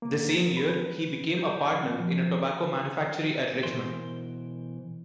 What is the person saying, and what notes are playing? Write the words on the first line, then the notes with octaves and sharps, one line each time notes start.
The same year, he became a partner in a tobacco manufactory at Richmond.
A#3
A#4
B5
B4
G6
C4
F3
B2 E3 A#4 C5